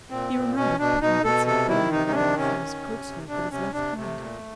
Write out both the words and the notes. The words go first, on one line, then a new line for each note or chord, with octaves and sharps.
He remembered picking bits of burning wadding from his coat sleeve with his left hand.
A#2 C4
A#2
B2 C#4
B2 D4
B2 D#4
B2 A4
C3 A4
D#3 E4
C3 D#4
C#4
D#3 D4
C3 C#4
D#3
C3
C3
C3 D4
C3 C#4
C3 D4
C3 A3
A#2